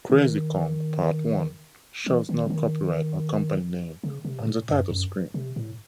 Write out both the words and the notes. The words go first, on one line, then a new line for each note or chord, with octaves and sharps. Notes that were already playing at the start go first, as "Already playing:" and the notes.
"Crazy Kong Part One" shows no copyright or company name on the title screen.
D#3
E3
D#3
C#3
D#3
C#3
C3
A2
F#2
F#2
C3
A2